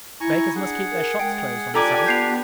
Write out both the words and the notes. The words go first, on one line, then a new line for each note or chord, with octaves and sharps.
Bakers must keep their shops closed on the Sabbath.
E4 G#5 A#5 C#6
D4 G#4 F#5
A#4
G#3 G5
D4 F4 G4 A4 D5 G#5 A#5 D6
B3 G6 C7 F7